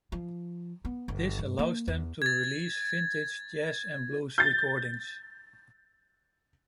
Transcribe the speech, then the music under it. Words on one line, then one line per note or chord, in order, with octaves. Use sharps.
This allowed them to release vintage jazz and blues recordings.
F3
B3
G1
G2
A#3
E2
G#6 A6
G6 A6